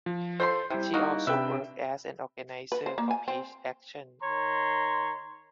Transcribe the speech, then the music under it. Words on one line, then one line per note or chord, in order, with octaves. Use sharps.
She also worked as an organizer for Peace Action.
F3
F4 A4 C5 B5 C6 G6
C3 G3 E4
A#3 D#4 F#4
C3 D4 B4 E5 G5
B4
C5
A#3
G#5
C4
D#3 C#5 A#5 C6